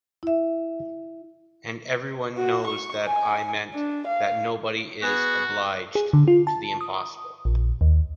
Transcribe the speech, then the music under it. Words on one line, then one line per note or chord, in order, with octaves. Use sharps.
And everyone knows that I meant that nobody is obliged to the impossible.
E4 E5
F#4
C#6
G#5
D4
F5
B3 F#4 G#4 C#6
G#4
D3
F4
A5
D#6
A#1
D#2